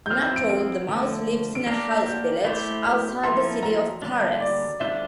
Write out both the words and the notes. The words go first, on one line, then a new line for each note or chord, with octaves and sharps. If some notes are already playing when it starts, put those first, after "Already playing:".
Anatole the mouse lives in a mouse village outside the city of Paris.
G6
F3 C4 E4 F6
G6
D7
D7
D3 F3 A3
D7
A#3 D4 G4 A#4 C7
G6
A3 E4 G4 C5
F6
F3 A#3 E4 A4 C6
A#5
D3 G3 A#3 D4
D5
D3 G3 D4 F4 C5 E5